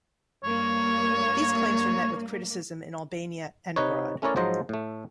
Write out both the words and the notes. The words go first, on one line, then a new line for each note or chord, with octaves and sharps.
These claims were met with criticism in Albania and abroad.
G2 A#3 C#5
C3 D#4 B4 C#5
A3 C#4 E4 A#4 C#5 D5
G#2 F3 F#3 C5 D#5 A#5
A2 A3